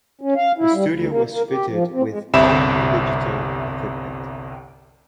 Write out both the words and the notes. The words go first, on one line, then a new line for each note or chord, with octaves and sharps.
The studio was fitted with all-new digital equipment.
C#4
F5
E4
G3
D2
A#3
A#3
G4
F3
C4
G#3
G1 C2 C3 E5 B5 E7